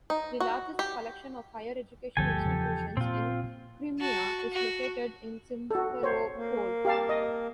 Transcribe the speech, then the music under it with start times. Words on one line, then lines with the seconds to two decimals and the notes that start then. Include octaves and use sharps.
The largest collection of higher education institutions in Crimea is located in Simferopol.
0.10 D#4
0.40 F#4
0.79 G4
2.17 G1 D2 F3 G4 A4 G#5
2.45 E2 C#3 F3
2.97 A#2 C4 F4
3.99 F#4 A5
4.52 F#4
5.71 F#4 A4
6.03 C5 C#5
6.36 A#3
6.85 G4 F5 A5
7.09 D#5